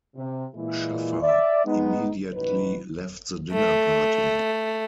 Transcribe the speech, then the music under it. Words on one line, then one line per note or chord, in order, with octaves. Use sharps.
Schaffer immediately left the dinner party.
C3
A#2 E3 G#3 E4
D5 E5
G#3 B3 D#4
A1 G2 C#3 F#3 D#4 B4
A3